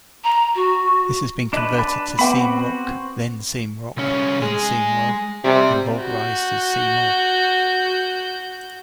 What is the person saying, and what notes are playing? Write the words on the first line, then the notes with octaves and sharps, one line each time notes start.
This has been converted to saeem-rokh, then seem-rokh, seem-rogh and vulgarised as see-morgh.
A#5
F#4
D4 B4 D#5 F#6
B5 D6
B3 C4 F#4 F#5 B5 D6
C2 C#4
G#3 G#4
C3 G4 D5
F#4 G6